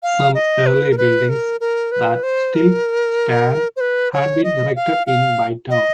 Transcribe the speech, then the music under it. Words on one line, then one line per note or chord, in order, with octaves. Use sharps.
Some early buildings that still stand had been erected in Bytown.
F5
D#5
B4
A#4
B4
A#4
A#4
B4
C5
A#4
C5
B4
C#5
D#5
F5
F5
D#5